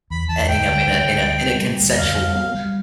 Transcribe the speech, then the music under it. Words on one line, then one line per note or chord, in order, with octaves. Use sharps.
ending up in a in a in a consensual,
E2 B5
E2 A5
D2 G5
D3
D2
D2
G3
G3
G3
D2
F2 F5
G3
B3
G3